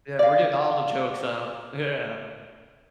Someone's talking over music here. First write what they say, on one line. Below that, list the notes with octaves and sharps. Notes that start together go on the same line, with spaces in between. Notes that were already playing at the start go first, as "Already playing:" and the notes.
Yeah, we're getting all the jokes out, yeah.
D5 F5